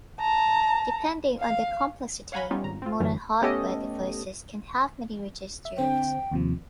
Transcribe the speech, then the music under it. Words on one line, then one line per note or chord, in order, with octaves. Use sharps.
Depending on their complexity, modern hardware devices can have many registers.
A5 A#5
F5
C#5 F5 F#5 G#5 A#5 B5
G3 B3 C#4 D#4 F4
G#1 A#5
C4 F4
F#2 D3 E3 F#3 C#4
A3 B3 C#4 G4 A4 D#5
E5
D3 C4 C5 G5
D#2 C3 F3